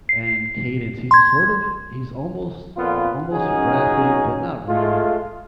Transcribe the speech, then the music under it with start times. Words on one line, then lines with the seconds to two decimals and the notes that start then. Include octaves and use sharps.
and cadence, he's sort of he's almost almost rapping, but not really.
0.09 C7
1.11 C6 G#6
2.77 F2 A#2 B3 F4
3.33 C#2 F#3 C#4 D#4 G#4
4.69 G#3 A3 F4